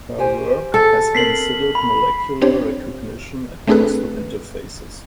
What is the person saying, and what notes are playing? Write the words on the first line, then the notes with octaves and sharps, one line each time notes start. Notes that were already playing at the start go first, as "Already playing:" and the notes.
Her work has considered molecular recognition at crystal interfaces.
G4 C5 G#5
A4
C4 A#4 B6 C7 F#7
B5
C4 D4 G4 C5 C#5
A3 C4 D4 G#4 A4 B4